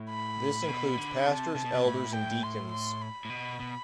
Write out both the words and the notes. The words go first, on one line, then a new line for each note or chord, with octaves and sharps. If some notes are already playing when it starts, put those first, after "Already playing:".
This includes pastors, elders and deacons.
Already playing: A2
B5
A2
B2
D3
C3 A5
C3 A5
B2
C3
A2 B5
G5
C6
C6
B5
A2
B2
B2